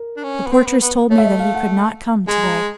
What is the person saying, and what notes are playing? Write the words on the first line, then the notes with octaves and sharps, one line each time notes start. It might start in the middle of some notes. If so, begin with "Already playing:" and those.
"The portress told me that he could not come to-day."
Already playing: A#4
D4
C#4
B3
C4 B4
B3
B3
A3 C#5
E5
D#5
F5
F#5
G#3 G#5
A#5
A5